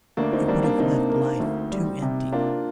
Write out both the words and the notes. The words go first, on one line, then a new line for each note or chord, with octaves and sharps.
It would have left life too empty.
D2 A#3 D4
C4 D#4
G3 A#3 D4
A#3 D4
C3 C4 D#4
A#3
D2
G3
C3
A#3 D4 F4